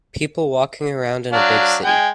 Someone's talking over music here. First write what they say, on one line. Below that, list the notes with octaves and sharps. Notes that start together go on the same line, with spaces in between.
People walking around in a big city.
F#3 D4 F5
G#3 G5 G#5